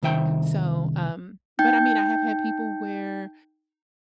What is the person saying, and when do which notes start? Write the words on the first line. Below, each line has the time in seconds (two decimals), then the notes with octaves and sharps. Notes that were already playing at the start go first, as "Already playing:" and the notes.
so, um but, I mean, I have had people where,
0.03 C2 D#3 E5 G5
1.59 D#4 G5 G6